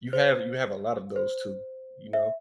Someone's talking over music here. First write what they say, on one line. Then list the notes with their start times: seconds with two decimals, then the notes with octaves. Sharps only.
you have you have a lot of those too, you know.
0.13 C5
1.16 C5
2.13 E5